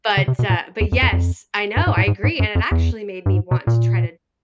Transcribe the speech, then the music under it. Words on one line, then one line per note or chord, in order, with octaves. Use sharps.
but, uh, but yes, I know. I agree. And it actually made me want to try to
C#3
C3
B2
A#2
E2
F2
F2
F2
G2
G#2
A2
G#2
G#2
F#2
F2
E2
G2
G#2
B2
A#2